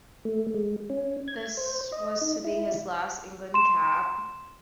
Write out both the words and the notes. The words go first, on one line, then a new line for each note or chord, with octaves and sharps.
This was to be his last England cap.
A3
G#3
C#4
G#6
C5
D#5
D#4
E4
C6 E7